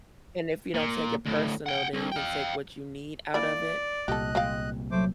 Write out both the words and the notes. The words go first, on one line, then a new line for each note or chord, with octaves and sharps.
and if you don't take it personal, then you can take what you need out of it,
A#2
D2 A2
F#5 G5
C2
F5 G5
E3 A#3 D5 B5
C2 A#2 G4 A4 D#5 F#6
G#3 C4 F5
F#3 A3 C5 D6